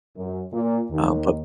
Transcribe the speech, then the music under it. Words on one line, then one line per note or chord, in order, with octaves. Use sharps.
Uh, but
F#2
A#2
D#2